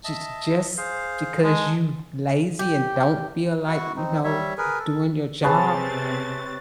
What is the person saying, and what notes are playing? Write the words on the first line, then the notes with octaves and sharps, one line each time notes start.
jus just because you lazy and don't feel like, you know, doing your job,
D#5 E5 A5
G#4 C5 F5
G#3 A5 D#6
G4
E4 F#4 C#6
C4 D#4
G3 C#5 E5
G#4 A#4 B4
A4
C3 C4 G#4 B4 C#5 A5 A6